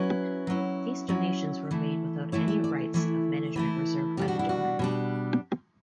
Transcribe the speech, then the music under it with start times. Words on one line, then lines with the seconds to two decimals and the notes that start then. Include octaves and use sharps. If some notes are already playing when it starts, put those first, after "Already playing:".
These donations were made without any rights of management reserved by the donor.
Already playing: F#3 C#4 E4 B4
0.47 F#3 C#4 E4
1.08 F#3 C#4 E4
1.71 E3 A3 E4
2.32 E3 A3 E4 C#5
2.48 E5
2.64 D5
2.94 E3 A3 E4
3.56 E3 A3 E4
4.17 B2 G3 D4 G4
4.28 F#4
4.39 E4
4.49 F#4
4.79 B2 G3 D4